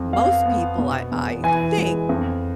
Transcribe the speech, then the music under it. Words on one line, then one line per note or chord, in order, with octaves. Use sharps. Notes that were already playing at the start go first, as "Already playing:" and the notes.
most people I I think
Already playing: F2
B3 F5
B3
B2
E2
E3 G#5
G#3
F2